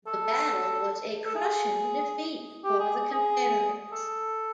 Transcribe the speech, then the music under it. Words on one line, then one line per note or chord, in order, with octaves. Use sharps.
The battle was a crushing defeat for the Confederates.
A4
A4
G#4
G4
G#4
G#4
G#4
A4